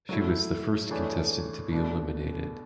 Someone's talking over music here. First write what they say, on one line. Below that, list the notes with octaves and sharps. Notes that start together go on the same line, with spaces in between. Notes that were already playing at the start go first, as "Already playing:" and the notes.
She was the first contestant to be eliminated.
F#3 A3 E4
E3 A3 D4 G#4 C#5
B2 A3 D4